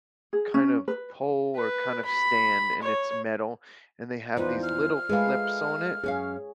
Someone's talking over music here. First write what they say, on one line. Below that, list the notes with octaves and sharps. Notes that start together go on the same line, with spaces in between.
kind of pole or kind of stand, and it's metal, and they have these little clips on it,
G#4
C#4
B4
B4
B5
C#5
E2 D#4 F4 B4 C5 D5
F6
G#3 A3 G#4 B4 F5
F#2 C#4 G#4 C#5 F5